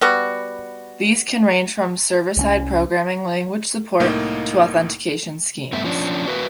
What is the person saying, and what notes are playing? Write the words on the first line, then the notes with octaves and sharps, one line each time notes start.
These can range from server-side programming language support to authentication schemes.
G3 B3 F#4
C2 G#3 C#4
C2 A2 A#3 D#4 D#5
G2 A3 B3 A4 E5
F3 C#4 D4
F#4 A#4 B4 E5 F5